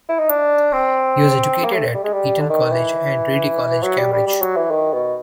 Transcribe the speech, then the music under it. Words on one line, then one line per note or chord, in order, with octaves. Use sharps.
He was educated at Eton College and at Trinity College, Cambridge.
E4
D#4
D4
C4
A#3
A3
G3
G#3
G3
D3
D#3
E3
F#3
G3
G3
G3
F#3
E3
D#3
B2